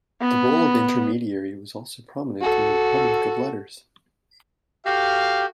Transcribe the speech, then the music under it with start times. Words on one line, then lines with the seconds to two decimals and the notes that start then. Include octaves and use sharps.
The role of intermediary was also prominent in the Republic of Letters.
0.21 B3
2.41 F#4 A4
4.85 F#4 G4 A4 F5